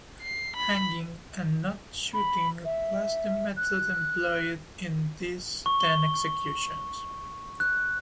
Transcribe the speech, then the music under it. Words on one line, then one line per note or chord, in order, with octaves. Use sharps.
Hanging and not shooting was the method employed in these ten executions.
C7
B5
B5
E5
F#6
C#6
G7
F#6